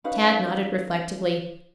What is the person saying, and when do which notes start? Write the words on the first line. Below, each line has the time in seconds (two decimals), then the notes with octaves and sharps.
Tad nodded reflectively.
0.04 C#4 D#4 B4 F5